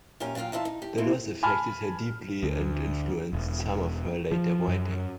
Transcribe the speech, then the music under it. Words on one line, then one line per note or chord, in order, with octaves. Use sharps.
The loss affected her deeply and influenced some of her later writing.
F#2 A#2 C#4 G4 G#5 A#5
A#2 F#3 F4 F5 G5
E3 D#4 F4 E5 A5
D#4
G4
E3 F3 G#3 A#3 C4 E4
G#5 A5 B5 F6
D2
E1
F3
F#2